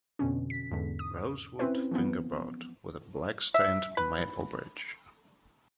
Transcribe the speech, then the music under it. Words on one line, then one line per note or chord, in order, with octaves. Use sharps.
Rosewood Fingerboard, with a Black-Stained Maple bridge.
F2 B2 D3 C#4
B6
E2 G#2 D3
D#6
C4 C#4 E4 B4 C5
E3 F3 B3
E5
B4